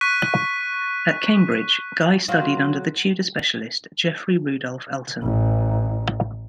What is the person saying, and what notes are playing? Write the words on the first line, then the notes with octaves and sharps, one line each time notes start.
At Cambridge, Guy studied under the Tudor specialist Geoffrey Rudolph Elton.
C#6 F#6 B6 D#7
F#3 F4
A1